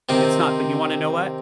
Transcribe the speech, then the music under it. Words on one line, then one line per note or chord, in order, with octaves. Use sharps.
It's not, but, you wanna know what?
C3 D#3 C4